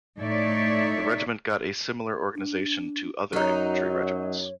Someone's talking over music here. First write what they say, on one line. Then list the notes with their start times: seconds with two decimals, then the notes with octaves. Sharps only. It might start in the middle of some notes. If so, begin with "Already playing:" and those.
The regiment got a similar organization to other infantry regiments.
0.19 A2 D#4 C#5 D5 E5
2.35 D4
3.33 F#2 F#3 D#4 C#5